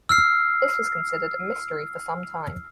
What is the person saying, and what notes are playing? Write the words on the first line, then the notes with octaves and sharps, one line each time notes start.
This was considered a mystery for some time.
E6 F6 C7